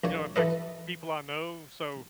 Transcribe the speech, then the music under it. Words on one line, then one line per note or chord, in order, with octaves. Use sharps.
you know, it affects people I know. So,
A#1 A#2 C#5
E3 A4 B4 D#5